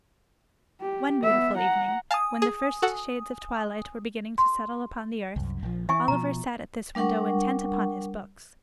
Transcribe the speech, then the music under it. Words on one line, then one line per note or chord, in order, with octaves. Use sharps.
One beautiful evening, when the first shades of twilight were beginning to settle upon the earth, Oliver sat at this window, intent upon his books.
G4
B3 E5
F#5 A#5
F5 G#5 A5 D#6
G#4
F#4 A4 F#5
C6
C2 F#2
A#1 F3
E3 E5 G#5 C#6
B2 F3 A#5
G3 D4 A#4 F#5 C#6